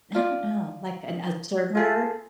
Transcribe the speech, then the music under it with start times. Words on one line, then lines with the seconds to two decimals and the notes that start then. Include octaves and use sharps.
I don't know, like an observer?
0.15 F4 D5
1.75 F4 G#4 A4